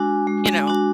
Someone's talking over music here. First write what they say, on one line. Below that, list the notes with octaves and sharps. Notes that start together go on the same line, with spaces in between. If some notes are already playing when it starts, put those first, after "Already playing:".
you know?
Already playing: G#3 D4 F#4 G#5
G#3
D4 F#4